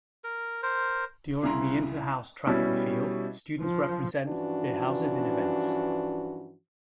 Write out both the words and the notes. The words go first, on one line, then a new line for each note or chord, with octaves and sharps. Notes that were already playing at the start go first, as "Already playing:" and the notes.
During the Inter-House Track and Field, students represent their houses in events.
A#4
A#4 C5
C2 C#3 E4 A#5 C6
B2 G3 C#4 E4 G4
F3
G2 E3 F3 C#4 D4 F#4